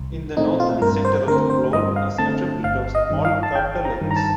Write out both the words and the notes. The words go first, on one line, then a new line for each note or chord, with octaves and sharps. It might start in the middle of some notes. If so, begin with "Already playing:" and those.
In the northern center of the floor is a triplet of small craterlets.
Already playing: C2
A#2 A3 C4 D#4
F4
G2 A#4
C5
D3 A3 C4 A#4
C5
G2 D#5
F5
D3 A3 C4 A5
G1 F5
D#5
G2 D#3
F5
A5
G1 G5
A#5
G2 D#3
A#5
A5